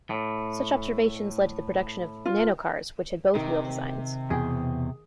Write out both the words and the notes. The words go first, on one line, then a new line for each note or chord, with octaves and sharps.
Such observations led to the production of nanocars which had both wheel designs.
A2
F4
C3 D#3
E2 B2 G#4 G5